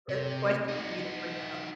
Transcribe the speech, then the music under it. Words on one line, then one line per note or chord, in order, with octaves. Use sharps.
great question for you to bring up.
C3
D#4 F#4